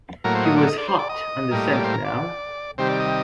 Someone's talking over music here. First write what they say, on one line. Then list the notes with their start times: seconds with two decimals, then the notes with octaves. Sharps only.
He was hot on the scent now.
0.24 A2 F#3 A#3 A#4
0.35 C5
0.45 D#5
0.56 D5
0.67 D#5
0.78 D5
0.88 C5
0.99 D5
1.09 D#5
1.51 A2 G3 A#3
1.73 D5
1.84 C5
1.94 A#4
2.04 D5
2.78 C3 D#3 G3 C5
2.89 D5
3.00 D#5